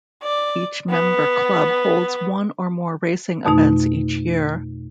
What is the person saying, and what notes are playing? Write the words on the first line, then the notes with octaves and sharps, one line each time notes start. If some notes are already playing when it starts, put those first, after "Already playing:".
Each member club holds one or more racing events each year.
D5
B3
F2 B2 A3 D#4